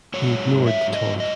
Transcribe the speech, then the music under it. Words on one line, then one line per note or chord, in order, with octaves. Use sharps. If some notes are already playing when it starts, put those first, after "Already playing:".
He ignored the taunt.
G#2 F#3 C#5
E5
D#5
D#5